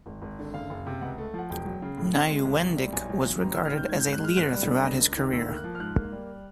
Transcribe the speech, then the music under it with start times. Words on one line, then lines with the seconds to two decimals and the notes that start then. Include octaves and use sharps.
Nieuwendyk was regarded as a leader throughout his career.
0.06 G#1
0.22 G#1
0.39 D3
0.54 F#1 F5
0.70 F#1
0.86 C3
1.01 C#2 F#5
1.18 A3
1.34 F3 F#5
1.50 E1 G5
1.65 F#3
1.82 C#3
1.97 A2
2.13 C4
2.30 G#3
2.45 C2
2.61 C2
2.77 G3
2.93 B1 G#5
3.09 B1
3.25 F#3
3.41 A1 A#5
3.53 A1 E6
3.65 F6
3.72 D#3
3.77 G6
3.88 G#2 G#6
4.00 G#2 G6
4.13 F#6
4.20 G#3 F6
4.36 G1 F#6
4.52 G3
4.68 D3
4.84 C#2 A#6
5.00 C#2
5.17 D#3
5.32 D2 E6
5.48 A#3
5.56 F#6
5.64 F3
5.75 F6
5.80 G#2 F#6
5.96 A#3
6.12 G3